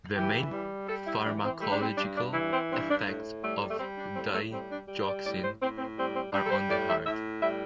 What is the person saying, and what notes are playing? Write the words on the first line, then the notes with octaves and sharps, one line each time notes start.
The main pharmacological effects of digoxin are on the heart.
E3 G4
G3
G3 A4
E4
E3 D4
C4
G3 A3
D4
C4
G2 D4
D4
E3 E4
C4
G2 C4
D4
A2
G3 A3
A3
G3 C4
D4
A2 C4
A3
G3 C4
D4
G3
D5
A2 D5
C5
A2 C4
C4
G3 C4
C4
G3 D4
A4
C5
A2 D5
E5
A2 E5
G3 E5